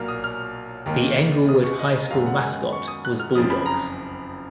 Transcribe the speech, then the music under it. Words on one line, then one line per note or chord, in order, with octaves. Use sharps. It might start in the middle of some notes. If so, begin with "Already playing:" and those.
The Englewood High School mascot was Bulldogs.
Already playing: B1 A#2 F#3 A#3 F6
D#6
F6
D#2 D#3 A#3
D#6
C#6
D#5
D#5
F#2 D#3 G#3 B3 F5
F#5
G#5
C#6
D#6
F#6
F6
F#1 F2 C#3 F3 D#6
B5
A#5